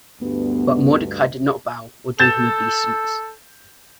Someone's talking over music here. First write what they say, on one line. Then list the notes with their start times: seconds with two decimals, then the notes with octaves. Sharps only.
But Mordecai did not bow, or do him obeisance.
0.22 D2 G2 B3
2.20 A4 G6 A6 E7